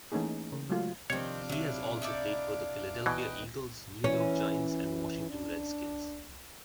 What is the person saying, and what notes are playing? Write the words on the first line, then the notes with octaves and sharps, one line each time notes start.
He has also played for the Philadelphia Eagles, New York Giants, and Washington Redskins.
E3 A3 A#3 C#4 D#4 G#4
C#3
F#3 G#3 A3 F4 A4
C3 D#3 F3 C4 D4 C#5 F5 D6
C3 F#3 E4
D#4 E4 D5
B2 E3 B4 D#5 G5
E3 C#4
D4